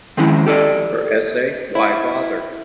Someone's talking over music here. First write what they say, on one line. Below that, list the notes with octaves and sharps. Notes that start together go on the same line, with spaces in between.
Her essay Why Bother?
D#3 F3 G#3 C4 C#4 E4
G4 A4 D5 D#5
E4